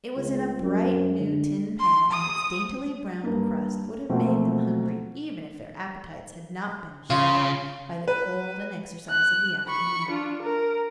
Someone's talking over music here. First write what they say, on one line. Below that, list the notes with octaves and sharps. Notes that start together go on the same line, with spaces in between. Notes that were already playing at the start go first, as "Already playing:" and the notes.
It was in a bright new tin pan, and its daintily browned crust would have made them hungry even if their appetites had not been sharpened by the cold and exercise of the afternoon.
C#2
F#2
D3
C6
D#6
G2 A#3
B2 F3 F#3 A3 A#3 C4
C#3 F4
B4
F#6
B5 C#6
D4 F4
A#4